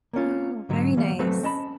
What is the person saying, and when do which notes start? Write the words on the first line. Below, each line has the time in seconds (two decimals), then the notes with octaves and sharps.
Oh, very nice.
0.13 A#3 B3 C#4 F4
0.69 G#2 D3 F#3
0.97 E3 G3 A#3 B3
1.19 F#3 A3 C4 A4 B4 C5
1.43 C#4 D#5 A5 B5